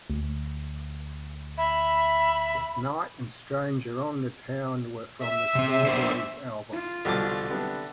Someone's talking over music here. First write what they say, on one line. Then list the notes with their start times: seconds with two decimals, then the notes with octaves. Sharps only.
"Ignite" and "Stranger on the Town" were from the "Strawberries" album.
0.10 D2
1.57 E5 B5
5.22 E5
5.55 C3 C4
5.86 B3 D4 C5
6.73 F4
7.05 C2 B2 D3 F3 D6
7.50 C3 B3 D4